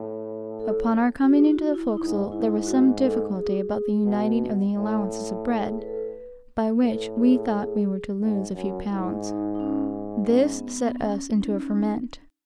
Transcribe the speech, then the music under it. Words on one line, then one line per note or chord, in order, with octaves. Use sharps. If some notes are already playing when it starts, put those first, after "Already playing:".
Upon our coming into the forecastle, there was some difficulty about the uniting of the allowances of bread, by which we thought we were to lose a few pounds. This set us into a ferment.
Already playing: A2
A4
F#4
G#4
E4
F#4
E4
E4
G#2 D#4
E4
D#4
E4
F#4
A4
G#4
F#4
G#4
B2
A2
G#4
B4
A4
B4
B4
A2 A4
G#4
G#4
G#2
F#2
G#2 E4
D#4
D#4
C#4
C#4
B3
B3
C#4
C#4
D#4
C#4
C#4
D#4